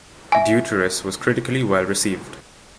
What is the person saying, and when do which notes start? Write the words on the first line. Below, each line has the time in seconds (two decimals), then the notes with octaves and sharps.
"Deuteros" was critically well received.
0.32 E5 G#5